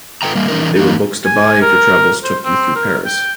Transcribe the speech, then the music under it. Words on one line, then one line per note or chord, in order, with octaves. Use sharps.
They were books to buy if your travels took you through Paris.
A4 B4 G5 A#5
G3 A#3
E3 C#4 D#4 A#4
E3 A#3 D#4
G#5
A#4
C5
C4
A#4
G5